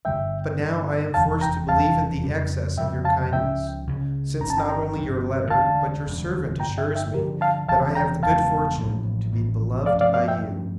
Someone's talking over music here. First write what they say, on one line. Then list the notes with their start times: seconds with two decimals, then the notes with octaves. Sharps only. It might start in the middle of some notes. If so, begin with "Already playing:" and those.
But now I am forced to believe in the excess of your kindness, since not only your letter but your servant assures me that I have the good fortune to be beloved by you.
0.05 G2 D3 G3 D4 E5 G5
0.60 G2 D3 G3 D4
1.14 F1 E2 E3 G3 F5 A5
1.41 G5 A#5
1.69 F1 E2 E3 G3 F5 A5
2.24 F2 C#3 G3
2.77 F2 C#3 G3 E5 G5
3.05 F5 A5
3.32 C#2 C#3 F3 C#4 E5 G5
3.87 C#2 C#3 F3 C#4
4.41 G1 G2 F3 C#4 A#5
4.50 A5
4.58 G5 A#5
4.68 G5 A#5
4.96 G1 G2 F3 C#4
5.50 E1 D2 D3 G3 F5 A5
6.05 E1 D2 D3 G3
6.60 G2 D3 F3 G5 A#5
6.77 E5 G5
6.96 E5 G5
7.14 G2 D3 F3 G4 A#4
7.41 F5 A5
7.68 E1 E2 C#3 F3 F5 A5
7.95 G5 A#5
8.23 E1 E2 C#3 F3 F5 A5
8.78 A1 A2 F3 A#3
9.32 A1 A2 F3 A#3
9.86 G2 F3 A3 C#4 D5 F5
10.01 D5 F5
10.14 D5 F5
10.28 E5 G5
10.42 G2 F3 A3 C#4